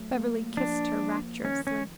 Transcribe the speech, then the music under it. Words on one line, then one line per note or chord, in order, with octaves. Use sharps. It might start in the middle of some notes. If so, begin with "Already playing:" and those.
Beverly kissed her rapturously.
Already playing: F#3 A3
A#3
F3 D4
F3
D#3 C#4
C#4